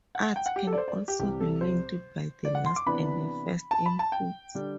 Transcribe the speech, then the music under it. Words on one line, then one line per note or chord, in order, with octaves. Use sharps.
Arts can also be linked by the last and first inputs.
F#5
G5
F#5
G4
A4
D5
C5
D5
G4
C2 C3 E3 G3 G4
A4
C5
D5
F#5
C6
D6
C3 E3 B3 D4 B5
A5
B5
A5
G5
D3 G3 D4